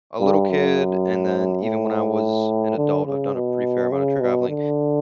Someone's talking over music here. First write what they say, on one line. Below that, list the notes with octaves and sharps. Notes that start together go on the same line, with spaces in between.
a little kid, and then even when I was an adult, I've done a pretty fair amount of traveling,
G2
F#2
A2
D3
C#3
B2
C#3
B2
D3